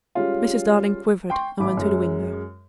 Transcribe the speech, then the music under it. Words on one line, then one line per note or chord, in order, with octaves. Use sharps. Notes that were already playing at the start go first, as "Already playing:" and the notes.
Mrs. Darling quivered and went to the window.
G3 G#3 C#4 F4
G5 C6 C#6
A1 B5 D6
F#2 G#3